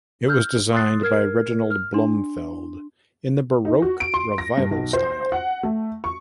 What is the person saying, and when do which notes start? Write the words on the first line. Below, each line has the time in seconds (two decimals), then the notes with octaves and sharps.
It was designed by Reginald Blomfield in the Baroque revival style.
0.28 E6 F6 G6
0.73 C6 D#6 E6 F#6 A6 C7
1.02 A#4 F6 G#6 C7
1.70 F6
1.94 D4 C6
3.65 D#4
3.82 F#4
4.00 D7
4.14 C6
4.38 A#6
4.57 G2
4.71 B1
4.93 C5
5.32 F#5
5.63 A3
6.04 C#6